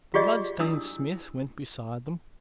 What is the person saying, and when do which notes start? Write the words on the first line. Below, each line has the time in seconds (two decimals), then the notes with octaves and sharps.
The bloodstained smith went beside them.
0.14 F4 G4 G#4 D5 D#5
0.59 D4 E4 D#6 E6